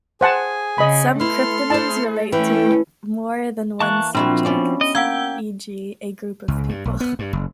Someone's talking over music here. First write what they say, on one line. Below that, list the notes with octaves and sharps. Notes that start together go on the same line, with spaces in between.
Some cryptonyms relate to more than one subject, e.g., a group of people.
G#4 C5 F#5 G#5 A5
C#3 D#5 B5
A3 B3 E4 A4 C6 F6
E4 C5 A5
E3 A3 C#4 G5
E3 A#3 A5 C#6 F#6
A#2 F3 C4 D4 E4 F#4
B3 C#4 D5
D#5
A#3 F#5 G5 E6 G#6
C#2
G2
B1
B3
G2
F#1